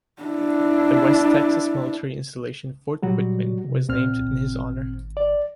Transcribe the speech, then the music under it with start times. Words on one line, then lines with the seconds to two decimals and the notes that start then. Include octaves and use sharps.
The west Texas military installation Fort Quitman was named in his honor.
0.22 D4 E4
3.02 A#2 F#3 G3 F#4
3.64 C3
3.89 A#1 A#2 C4 F6
4.21 G#1
5.17 D5